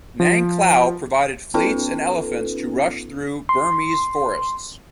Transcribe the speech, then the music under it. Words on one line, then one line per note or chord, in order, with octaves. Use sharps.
Nangklao provided fleets and elephants to rush through Burmese forests.
F3
B3 C#4 D#4 F4 A4 B4
C6